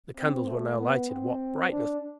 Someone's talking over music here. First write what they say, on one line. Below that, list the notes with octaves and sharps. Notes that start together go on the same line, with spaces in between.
The candles were now lighted--what brightness!
C4
A3
B3
C4
D4